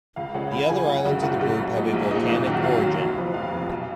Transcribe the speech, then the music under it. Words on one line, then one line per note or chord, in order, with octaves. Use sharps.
The other islands of the group have a volcanic origin.
C#2 F5
C#3 G#3 C#4 F#5
C#2 B5
C#3 G#3 C#4 G#5
F#1 F#5
F#2 C#3 G#3
F#1 F#5
F#2 C#3 G#3
A#1
A#2 G#3 D#4
A#1
A#2 G#3 D#4
F#1
F#2 D#3 F#3
F#5
F#1 F5
F#2 D#3 F#3
F1
F2 F3 B3
F1 F5
F2 F3 B3
B1